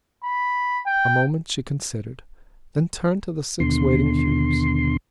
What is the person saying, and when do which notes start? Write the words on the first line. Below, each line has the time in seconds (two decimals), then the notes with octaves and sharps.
A moment she considered; then turned to the six waiting cubes.
0.24 B5
0.86 G5
3.60 D#2 B2 D3 C6